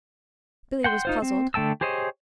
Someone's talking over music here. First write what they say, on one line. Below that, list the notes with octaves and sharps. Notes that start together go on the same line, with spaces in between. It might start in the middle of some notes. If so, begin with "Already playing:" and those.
Billy was puzzled.
F#5 G5 C6
D#4 F4 C5
C4
D3 A3 G5 A5 E6
G4 G#4 C5 C#5 D#5